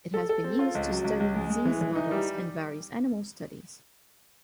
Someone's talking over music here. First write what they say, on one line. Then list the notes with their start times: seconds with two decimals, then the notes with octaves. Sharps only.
It has been used to study disease models in various animal studies.
0.14 A4
0.29 A4
0.44 C4
0.59 F4
0.75 C#2
0.90 F#3
1.04 C#2
1.20 C#2
1.36 G#3
1.50 G#3
1.65 E3
1.81 E3
1.95 D#4
2.11 G3